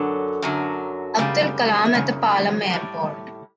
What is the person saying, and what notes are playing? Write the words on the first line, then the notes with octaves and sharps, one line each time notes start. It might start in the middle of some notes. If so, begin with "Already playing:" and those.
Abdul Kalam at the Palam Airport.
Already playing: F#2 D3 F#3
F#2 D3 F#3
F#2 C#3 G3
E5
F#2 C#3
A2 G3